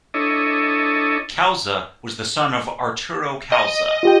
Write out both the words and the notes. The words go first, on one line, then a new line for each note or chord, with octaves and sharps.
Calza was the son of Arturo Calza.
D4 E4 A4 C#5 D#5
D#5
F4 G4 G5